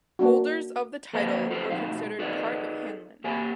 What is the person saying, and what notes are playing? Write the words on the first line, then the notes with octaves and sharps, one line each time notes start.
Holders of the title were considered part of Hanlin.
A#3 D4 F#4
A#3 A4 B4 C5 D#5 F5
F4 G4 A4 B4 C5
B2 G#3 A3 D#4 F5
D#4 G#4 A4 B4 D5 D#5
A#3 G4 C#5 G#5